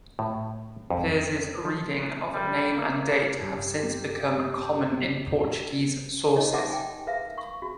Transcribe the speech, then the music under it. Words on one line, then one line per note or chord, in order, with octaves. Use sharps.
Peres's reading of name and date have since become common in Portuguese sources.
A2
F2
F3
G3
A#3
G2 G4
D#4 C#5 D#5
G4 B4 E5 F#5 A5 D6
G5 G#5
A#4 B4 E5 F5
C#6
F#4